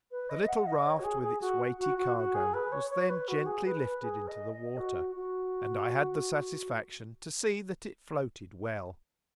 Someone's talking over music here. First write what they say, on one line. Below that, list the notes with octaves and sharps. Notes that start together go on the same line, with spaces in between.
The little raft with its weighty cargo was then gently lifted into the water, and I had the satisfaction to see that it floated well.
B4
D#5
D#5
F#5
D#5
C#5
F#4
G#4
G#4
F#4
F#4
F#4
F#4
G#4
B4
C#5
C#5
B4
F#4
G#4
B4
B4
G#4
D#5
D#5
F#4
F#4